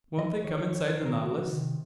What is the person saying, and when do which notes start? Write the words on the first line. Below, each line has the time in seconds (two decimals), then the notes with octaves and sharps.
"Won't they come inside the Nautilus?"
0.18 F2 D#5
0.44 D#3 C#5
0.70 F2 C#5
0.88 C5
0.97 D#3
1.05 A#4
1.23 C#2 F#4
1.50 C3 D#3